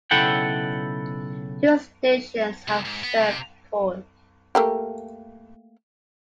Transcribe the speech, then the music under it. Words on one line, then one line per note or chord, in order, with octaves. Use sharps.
Two stations have served Porth.
B1 C#3 E4 A4 F#5 G5
C2
G#2
B3
C3
A3 A#3 G4